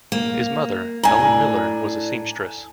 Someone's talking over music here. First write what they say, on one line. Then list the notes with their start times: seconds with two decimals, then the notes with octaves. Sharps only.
His mother, Helen Miller, was a seamstress.
0.12 A#3
1.03 A2 D4 G#5 A#5